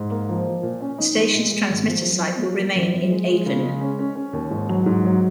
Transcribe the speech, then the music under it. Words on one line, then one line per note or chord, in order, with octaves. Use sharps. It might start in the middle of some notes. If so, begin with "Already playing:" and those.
The station's transmitter site will remain in Avon.
Already playing: G#2
A#3
F3
F3
A#2
C#4
D#4
G#3
A#2
G#3
G#1
F3
F#2
F3
F4
A#3
F#2
F#2
G#3
G#3
C#3
G#3
C#4
C#4
C#4
D#2
G#2
F#3
G#2
F#3